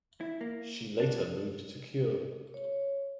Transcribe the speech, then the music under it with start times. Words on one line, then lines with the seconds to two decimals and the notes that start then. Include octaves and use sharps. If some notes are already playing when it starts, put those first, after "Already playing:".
She later moved to Kure.
0.21 E4
0.41 A#3
1.00 D4
2.54 C#5